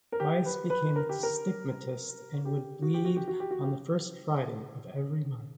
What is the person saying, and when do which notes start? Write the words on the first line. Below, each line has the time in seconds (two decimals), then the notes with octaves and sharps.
Wise became a stigmatist and would bleed on the first Friday of every month.
0.12 A#4
0.20 G4
0.46 B4
0.70 B4
0.96 A#4
1.09 G4
1.23 A#4
2.45 G4
2.82 F#4
2.94 G4
3.05 F#4
3.17 G4
3.28 F#4
3.40 G4
3.51 F#4
3.62 G4